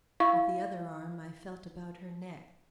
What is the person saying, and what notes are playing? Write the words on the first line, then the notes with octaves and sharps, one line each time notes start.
With the other arm I felt about her neck.
E4 F5 C#6